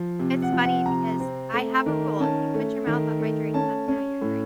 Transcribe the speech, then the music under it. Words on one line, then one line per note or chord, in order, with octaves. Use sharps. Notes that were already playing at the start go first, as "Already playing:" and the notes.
It's funny because I have a rule, if you put your mouth on my drink, that's now your drink.
Already playing: F3
C3
F#5
F3
F#5
C3 A#5
C4
A3
D#3
C#4 A5
A3
D#3
A3
C#4 A5
C#4
A2